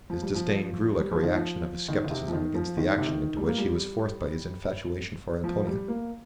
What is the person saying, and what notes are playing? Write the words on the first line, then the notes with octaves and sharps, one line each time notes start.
His disdain grew like a reaction of his scepticism against the action into which he was forced by his infatuation for Antonia.
F3
G3
F3
G3
F3
D#3
F3
D#3
D#3
C3
F3
D#3
F3
D#3
C3
D#3
G3
A#3
G3
F3
G3
A#3